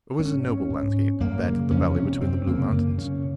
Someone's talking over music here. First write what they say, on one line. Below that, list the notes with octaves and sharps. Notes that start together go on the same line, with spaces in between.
It was a noble landscape, that of the valley between the blue mountains.
G#2 C#4
C#4
G#2
F#2 A#3
C#3
F2 C#4
C3 C#4
F#2 C4
C#3 A#3
F#2
C#3 C#4